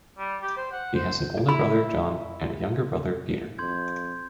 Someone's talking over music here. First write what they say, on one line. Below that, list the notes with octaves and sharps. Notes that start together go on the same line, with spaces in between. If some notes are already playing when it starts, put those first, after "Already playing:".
He has an older brother, John, and a younger brother, Peter.
G3
G4
C5
F#5
C5
E4 B5
F2 C6 G6 G#6